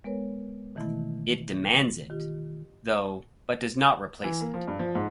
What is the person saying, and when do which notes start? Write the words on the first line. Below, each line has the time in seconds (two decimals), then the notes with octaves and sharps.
It demands it, though-but does not replace it.
0.04 G#3 B3 A#4 B4 C#5
0.75 B2 D#3 E3 A3 E4
2.10 D#3 F4 G4
4.24 E3
4.41 A#3
4.54 F3
4.68 G2
4.79 F3
4.95 G#2